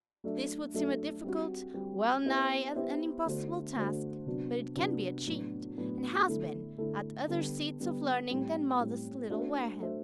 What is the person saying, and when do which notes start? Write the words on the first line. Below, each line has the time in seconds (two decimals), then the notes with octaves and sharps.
This would seem a difficult, well-nigh an impossible task, but it can be achieved, and has been, at other seats of learning than modest little Wareham.
0.24 F#3 A3 D4 A4 E5
0.74 F#3 A3 D4 A4 E5
1.24 G3 C4 F#4
1.74 G3 C4 F#4
2.24 B3 E4 G4 C5 E5
2.75 B3 E4 G4 C5 E5
3.25 D3 A3 D4 F#4 C5
3.76 D3 A3 D4 F#4 C5
4.26 C3 F#3 B3 D4 F#4
4.76 C3 F#3 B3 D4 F#4
5.26 A2 F#3 B3 D4 F#4
5.78 A2 F#3 B3 D4 F#4
6.28 D3 A3 E4 A4
6.78 D3 A3 E4 A4
7.28 D3 G3 B3
7.79 D3 G3 B3
8.30 A2 G3 C4
8.80 A2 G3 C4
9.30 A3 D4 F#4 C5 E5
9.80 A3 D4 F#4 C5 E5